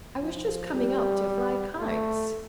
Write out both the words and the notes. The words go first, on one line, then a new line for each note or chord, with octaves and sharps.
"I was just coming up to fly kites."
F3
G3
A3